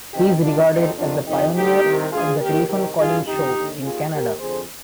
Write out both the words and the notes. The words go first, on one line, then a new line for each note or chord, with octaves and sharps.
He is regarded as a pioneer of the telephone call-in show in Canada.
F2 C3 D#3 D#4 G4
C2 C3 D#3 D4 F4
F2 D3 C4 D#4
F2 C3 D#3 D4 F4
F2 C3 D#3 D#4 G4
D2 D3 D#4 G4
C2 C3 D#3
D2 D3 F4 G#4
D#2 D#3 G4 A#4
C2 C3 D#3 G4 A#4
G2 D3 F4 G#4
F2 D3 D#4 G4
D#2 D3
D#2 D#3 F4 G#4
D#2 D#3 G4 A#4
F2 D3 G#4 C5